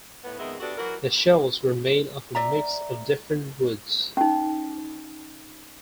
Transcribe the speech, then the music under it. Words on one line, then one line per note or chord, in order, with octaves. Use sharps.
The shells were made of a mix of different woods.
A2 B3
F2 D#3 G#3 B3 E5
B3 D4 F#4 G4 A4
E3 F#3 F#4 A#4
D5 E5 A#5
C#4 D#4